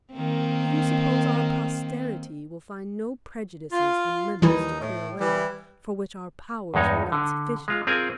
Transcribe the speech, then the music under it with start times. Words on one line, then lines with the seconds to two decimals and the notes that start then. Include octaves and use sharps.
Do you suppose our posterity will find no prejudices and limits to clear away, for which our powers were not sufficient?
0.13 D#3 A#3 C4
3.71 F4
4.42 D#2 E3 G3 D#4 E4
4.81 A2
5.21 E3 G3 E4
6.74 E2 G2 G#3 D#4 C#5
7.12 D3
7.68 G#3 F4
7.87 C4 F4 G#4 A#4 G#5